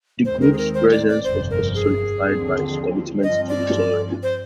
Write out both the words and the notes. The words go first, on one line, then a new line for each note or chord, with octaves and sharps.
The group's presence was also solidified by its commitment to touring.
D#2 D#3 G#3 C4 C5
A#4
G#4
A#4
C5
D5
D5
G1 F2 C3 C5
A#4
G#4
D#2 D3 F3 C4
G2 F3 C4 D#5
D5
C5